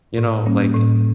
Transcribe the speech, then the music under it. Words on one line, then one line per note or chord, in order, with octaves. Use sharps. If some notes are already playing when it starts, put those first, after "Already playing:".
you know, like,
A2
G3 A#3 C#4
A2